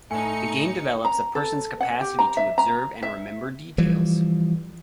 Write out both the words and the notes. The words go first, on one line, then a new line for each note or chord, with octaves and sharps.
The game develops a person's capacity to observe and remember details.
A2 A3 D#4 G#5 C#7
A#5
A4
F#5
G4
A#5
E5
A#5
E5
E3 F3 G3